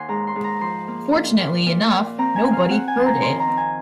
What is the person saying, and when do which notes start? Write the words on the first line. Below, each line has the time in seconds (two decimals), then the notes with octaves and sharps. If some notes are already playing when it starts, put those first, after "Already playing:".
Fortunately enough, nobody heard it.
Already playing: D#2 F#5 G#5 C6
0.09 G#2 A#5
0.27 C6
0.36 G#2
0.44 A#5
0.61 F3 C6
0.88 A#3
1.14 A#2
1.40 A#2
1.66 A#2
1.93 A#2
2.18 C4 A#5
2.36 G#5
2.45 C4
2.53 F5
2.70 C4 F#5
2.88 G#5
2.96 F3 C6
3.06 A#5
3.22 D#3 C6
3.39 A#5
3.48 C4
3.57 G#5